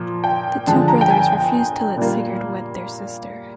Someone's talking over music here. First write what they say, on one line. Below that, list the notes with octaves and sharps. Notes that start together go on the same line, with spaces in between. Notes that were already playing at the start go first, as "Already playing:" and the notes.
The two brothers refused to let Sigurd wed their sister.
Already playing: A#2 F3
G5
D3 F3 G#3 A5
A#5
G5
G#5
G5
A#2 G3 A#3